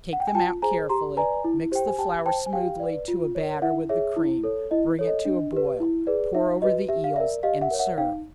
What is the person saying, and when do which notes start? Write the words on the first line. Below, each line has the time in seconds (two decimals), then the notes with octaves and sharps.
Take them out carefully, mix the flour smoothly to a batter with the cream, bring it to a boil, pour over the eels, and serve.
0.13 F#5
0.20 G5
0.27 G#5
0.35 F4 G5 A5
0.62 G#4 C5 G#5 A#5
0.89 G4 A#5 C6
1.17 B4 D5 G#5 A#5
1.44 E4
1.72 G4 C5 G5
1.87 G#5
1.98 G4 G5 A5
2.26 C5 G5 A5
2.46 G#5
2.53 G4 F5 G5
2.80 B4 D5
3.08 F4
3.35 A#4 C#5
3.62 E4 E5 F#5
3.89 G#4 C#5 E5
4.16 E4
4.43 A4 C#5
4.71 E4 D#5
4.99 A4 C#5
5.07 D#5
5.25 D4
5.53 G4 B4
5.80 E4
6.07 G#4 B4 D5
6.35 D#4 E5
6.62 F#4 B4 D#5
6.88 G4 E5
7.04 F5
7.16 A#4 D5 E5
7.43 G4 D#5 F5
7.61 E5 F#5
7.71 A#4 C#5
7.79 E5 F#5
7.98 D#4 F5 G5